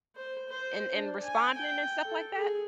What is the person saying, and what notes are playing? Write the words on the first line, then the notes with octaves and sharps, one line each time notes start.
and and responding and stuff like that?
C5
C5
D4
G#5
G5
A4
G#4